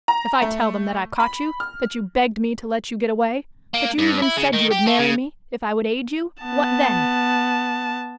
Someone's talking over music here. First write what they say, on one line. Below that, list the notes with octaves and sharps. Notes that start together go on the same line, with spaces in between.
If I tell them that I caught you, that you begged me to let you get away--that you even said you would marry me, if I would aid you, what then?
A#5
A3
B5
F6
A#3
G2
E4
C#3
D#3
G4
A3
C#3
B3 A5